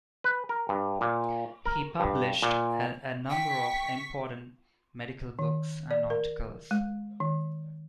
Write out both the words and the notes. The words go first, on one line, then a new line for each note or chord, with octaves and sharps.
He published a number of important medical books and articles.
B4
A#4
G2
A#2
A#4
G2
A#2
G5 C#6 B6
D#3
D5
A#4
G#3
D#3